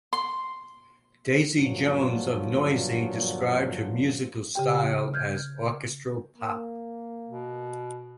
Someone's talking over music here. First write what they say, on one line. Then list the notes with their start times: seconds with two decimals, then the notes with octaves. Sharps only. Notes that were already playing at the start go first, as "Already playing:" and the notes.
Daisy Jones of Noisey described her musical style as orchestral pop.
0.13 C6
1.57 G2 A#2 D3 F3 F#3
4.55 C#3 G4 G5
5.14 F6 G6 G#6
6.38 A#3
7.28 B2